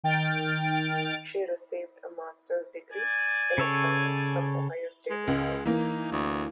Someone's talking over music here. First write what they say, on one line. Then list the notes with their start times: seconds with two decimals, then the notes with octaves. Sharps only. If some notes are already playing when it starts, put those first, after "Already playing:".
She received a master's degree in economics from Ohio State University.
0.04 D#3 G5 F6 A6 D7
2.92 D5 G#5
3.58 C#3 A4 C#5
5.10 G#3
5.27 C#2
5.65 E3 A#3 D#4
6.12 D2